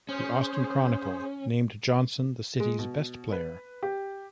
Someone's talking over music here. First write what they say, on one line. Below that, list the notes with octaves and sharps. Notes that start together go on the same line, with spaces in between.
"The Austin Chronicle" named Johnson the city's best player.
C#4 G#4 C5
G#3
B2
B4
G4